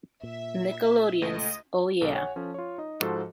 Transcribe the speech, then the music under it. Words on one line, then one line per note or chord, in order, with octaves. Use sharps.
Nickelodeon's Oh Yeah!
A#2 E5
C#2 A3 D#5
B1 A4
C#5 F#5 G#5
F3 C#4 A4
F4 C#5
D#4 D#5
G#2 F3 F#4 A4 C5